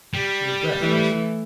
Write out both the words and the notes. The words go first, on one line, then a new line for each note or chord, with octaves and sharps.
She was breathless.
G3
E3 A3